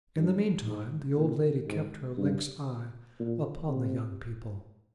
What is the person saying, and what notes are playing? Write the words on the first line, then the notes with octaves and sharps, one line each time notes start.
In the mean time the old lady kept her lynx-eye upon the young people.
G2
G#2
A#2
G#2
G2
A#2
C3